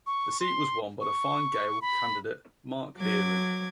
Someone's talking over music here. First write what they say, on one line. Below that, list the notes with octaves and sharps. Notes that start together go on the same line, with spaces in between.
The seat was won by the Fine Gael candidate Mark Deering.
C#6
C6
C#6
B5
F#3 D6 G#6